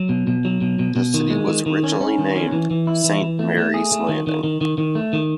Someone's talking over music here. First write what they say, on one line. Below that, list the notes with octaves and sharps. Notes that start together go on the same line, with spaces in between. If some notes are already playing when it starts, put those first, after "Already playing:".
The city was originally named Saint Mary's Landing.
Already playing: F#3
B2
B2
F#3
B2
B2
B2
D#3
G#3
D#3
D#3
C#4
C#4
D#3
C#4
E3
E3
E4
E3
E3
A3
A3
G#4
A3
D#3
D#3
D#3
D#3
D#3
A3
D#3